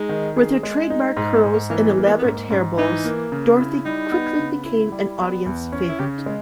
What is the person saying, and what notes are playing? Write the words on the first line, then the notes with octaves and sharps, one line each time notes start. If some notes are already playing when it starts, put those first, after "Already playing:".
With her trademark curls and elaborate hair bows, Dorothy quickly became an audience favorite.
Already playing: G#3 D#4
D#3
G#4
G#3
D#4
G#2 G#3
B3
G#2
A#3
E3 A#3
B3
A#3
B3
B3
G#2 C#4
G#2 C#4
E3 D#4
A#3
C#3
E4
G3 D#4
B3
C#3
E4
G3
B3
E2
C#4
E4
C#3 G4
D#4
G#3